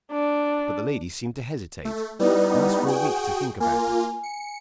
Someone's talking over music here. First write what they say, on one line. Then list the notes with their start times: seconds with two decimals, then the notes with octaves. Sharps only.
But the lady seemed to hesitate, and asked for a week to think about it.
0.12 D4
1.85 A3
2.19 G3 B3 D#4 E4 B4 D5
2.86 F#4 G#4 G5
3.60 A#3 F4 G#5
4.23 C#7